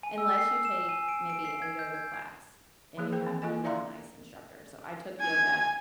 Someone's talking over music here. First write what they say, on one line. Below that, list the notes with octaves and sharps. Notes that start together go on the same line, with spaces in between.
Unless you take maybe a yoga class and you have a not nice instructor. So, I took yoga
G#5
E6
C7
E7
G#5
D7
D7
C7
G#6
G6
G#6
E3 F3 A#3 G#4
G#4 A#4 C5 G5
E3 C4
A#3 F4 A4 D#5 G#5
E4 D5 E5 F5 A#5 C6
G#5 G#6